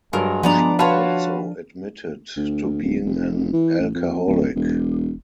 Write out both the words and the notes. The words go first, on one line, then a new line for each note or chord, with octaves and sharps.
She also admitted to being an alcoholic.
G2 F#3 G#3 A#4
F3 B3 D4 D5 A#5
F4 F#4 B4 C#5 F5 A5
D2
D1
F1
E3
A1
F2
D1
E1